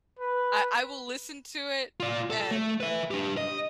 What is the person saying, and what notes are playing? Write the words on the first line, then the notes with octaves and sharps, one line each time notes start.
I I will listen to it and,
B4
F4 D5
A4
A3
B4 E5
D4 G4
D#5